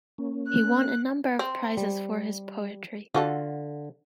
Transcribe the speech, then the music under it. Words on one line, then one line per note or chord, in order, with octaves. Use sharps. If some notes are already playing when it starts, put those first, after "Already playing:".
He won a number of prizes for his poetry.
A#3 C#4
F#6
C4
G3
D3 F4 F#4 A4